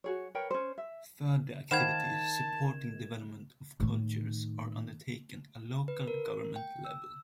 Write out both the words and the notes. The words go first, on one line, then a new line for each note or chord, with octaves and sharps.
Further activities supporting development of culture are undertaken at local government level.
F#4 G#4 C#5
A#4 B4 C#5 G5
C#4 C5
E5
D#3 C5 F5 F#5 A5 B5 G#6 E7
A2 D#3
B4
A#4
G5
E6